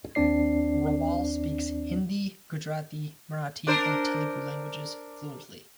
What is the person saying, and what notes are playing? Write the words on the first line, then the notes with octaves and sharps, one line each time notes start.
Rawal speaks Hindi, Gujarati, Marathi and Telugu languages fluently.
D#2 C4 D4 D5 C7
D4 A#4 C5